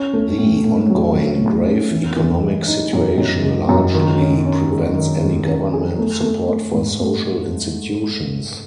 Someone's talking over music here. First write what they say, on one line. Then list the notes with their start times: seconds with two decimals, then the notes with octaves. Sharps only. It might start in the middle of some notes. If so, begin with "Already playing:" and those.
The ongoing grave economic situation largely prevents any government support for social institutions.
Already playing: C#4
0.13 A3
0.38 A2
0.64 A2
0.90 F#3
1.15 F#3
1.41 A2
1.67 C#4
1.91 E3
2.16 E3
2.43 G#3
2.67 D#4
2.93 F#2
3.18 F#2
3.44 G#3
3.69 F#2
3.94 D#3
4.20 C#4
4.45 C#4
4.71 G#3
4.96 D#3
5.22 G#3
5.47 C#4
5.73 G#4
5.99 A3
6.23 A3
6.49 A3
6.74 G#2
7.00 A3